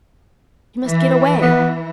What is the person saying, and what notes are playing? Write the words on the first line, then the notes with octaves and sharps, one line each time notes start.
He must get away.
E3
B3